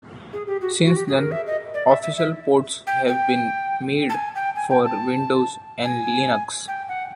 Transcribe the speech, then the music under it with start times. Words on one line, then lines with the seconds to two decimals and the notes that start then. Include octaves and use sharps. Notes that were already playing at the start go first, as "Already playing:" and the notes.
Since then, official ports have been made for Windows and Linux.
0.33 G#4
0.47 G4
0.61 F#4
0.86 F#4
0.96 G4
1.08 G#4
1.18 A#4
1.31 E5
1.46 D#5
1.74 D5
1.89 E5
2.02 E5
2.17 E5
2.87 G5
3.08 G5
4.09 A5
4.14 G#5
4.35 G5
4.56 G#5
4.70 G5
4.84 A5
5.84 G#5
6.68 G5
6.89 F#5